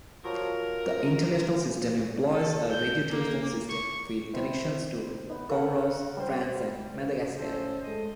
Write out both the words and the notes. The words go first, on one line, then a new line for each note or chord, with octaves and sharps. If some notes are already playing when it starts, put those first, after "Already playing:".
The international system employs a radiotelephone system, with connections to Comoros, France and Madagascar.
F3 F#3 A#4
A4
G6
A#3
C#6
C4 E4 C5
B3 D#4
A4 A#4 F5 F#5
G3 C5
A2 F3 C#4 A4 C5
G#3 A3 A4 D#5